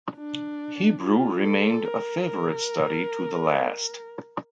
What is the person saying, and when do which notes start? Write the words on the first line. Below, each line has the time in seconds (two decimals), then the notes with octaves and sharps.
Hebrew remained a favorite study to the last.
0.18 D4
1.01 F4
1.43 A4
1.85 A#4
2.28 A#4